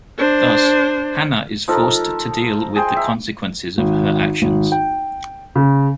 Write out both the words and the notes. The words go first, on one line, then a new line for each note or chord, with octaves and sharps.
Thus, Hannah is forced to deal with the consequences of her actions.
D4 C5
F3 D#4 A4 A#4
G#4 G5 C6
E5 A#5
G#1
G#1
G5
C#3